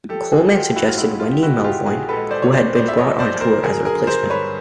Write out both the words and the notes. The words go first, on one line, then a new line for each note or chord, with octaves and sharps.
Coleman suggested Wendy Melvoin, who had been brought on tour, as a replacement.
F3 G4 A4
F#4 G#4
F3
F4 G4
A#1
E4 F#4
F4
G#3 E4
F4
G#3 G4
E4 F#4
G#3
F4 G4
A#1 F#4 G#4
A4 B4
G#3
C5 D5
G#3 C#5
C5 D5
A#2 C5 D5
E5
C#5 D#5
F3
C5 D5
A#1
A#4 C5
F#3 G#4 A#4
G#4 A#4
D3
A#4 C5
G2
B4 C#5